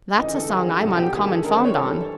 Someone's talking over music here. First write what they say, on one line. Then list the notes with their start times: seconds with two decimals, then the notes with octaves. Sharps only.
"That's a song I'm uncommon fond on."
0.18 D2 C#3 E3 G#3 D#4
0.34 A4
0.49 F#2 D#3 F#3 G#4
0.80 C2 A#2 F#3 A4
0.97 G4
1.13 G2 D#3 G#3 G#4
1.28 A4
1.44 F#2 D#3 G#3 A#4
1.54 C5
1.65 C#5
1.75 G2 E3 G3 A4